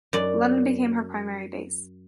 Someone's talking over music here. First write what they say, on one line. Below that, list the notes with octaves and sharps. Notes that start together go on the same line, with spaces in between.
London became her primary base.
F#2 D5